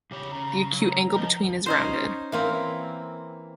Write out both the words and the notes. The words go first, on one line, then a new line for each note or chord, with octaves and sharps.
The acute angle between is rounded.
E2 C#3 G4 C#5
C#3 A#5
F#3
F3 A#4 D#5
C#4 D#4 C5
E3 A#3 C4